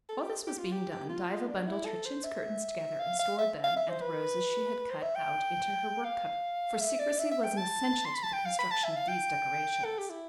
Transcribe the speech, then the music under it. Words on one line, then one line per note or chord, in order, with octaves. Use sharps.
While this was being done, Diva bundled her chintz curtains together and stored them and the roses she had cut out into her work-cupboard, for secrecy was an essential to the construction of these decorations.
A4
G4
G4
F4
G4
G4
F4
D4
E4
A4
C5
E5
F5
F5
E5
F5
E5
C5
B4
C5
E5
G5
F5
E5
D5
E5
E5
G5
A5
C6
B5
A5
G5
F5
B5
A5
E5
F5
G5
A4
G4
E4